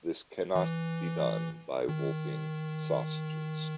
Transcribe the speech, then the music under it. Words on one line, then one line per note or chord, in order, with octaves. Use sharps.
This cannot be done by wolfing sausages.
E3
D#3